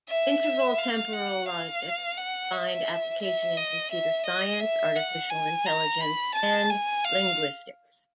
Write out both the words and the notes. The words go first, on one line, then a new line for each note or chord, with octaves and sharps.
Interval temporal logics find application in computer science, artificial intelligence and linguistics.
E5
F5
F#5
F5
F#5
E5
E5
D#5
E5
D#5
E5
F#5
G#5
A#5
B5
A5
G#5
F5